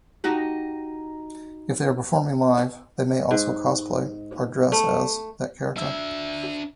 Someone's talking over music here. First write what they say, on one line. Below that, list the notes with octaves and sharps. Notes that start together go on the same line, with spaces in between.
If they are performing live, they may also cosplay, or dress as, that character.
D#4 F#4 G4
G#2
A3
D4 E5